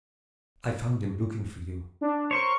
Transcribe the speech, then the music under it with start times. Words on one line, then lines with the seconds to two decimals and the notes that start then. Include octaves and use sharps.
I found him looking for you.
2.01 D4
2.31 A#4 C5 C#5 C#6